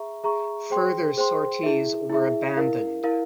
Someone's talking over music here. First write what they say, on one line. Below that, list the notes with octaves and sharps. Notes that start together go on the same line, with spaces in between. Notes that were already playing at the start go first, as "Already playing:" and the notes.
Further sorties were abandoned.
Already playing: G#4 E5 A#5 C#6
G#4 E5 A#5 C#6
G#4 C5 G5 C6
G#4 C5 G5 C6
E4 G#4 E5
E4 G#4 E5
E4 A#4 F5
E4 A#4 F5